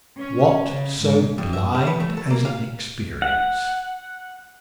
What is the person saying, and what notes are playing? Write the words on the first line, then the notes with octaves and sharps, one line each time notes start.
What so blind as inexperience?
C#4
C#3
G#2
F2
E5
G3
B4
A3
A4
A#3
F5
F#5